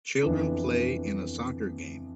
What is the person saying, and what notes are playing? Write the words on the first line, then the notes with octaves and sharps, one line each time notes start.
Children play in a soccer game.
F2 E3 B3 D4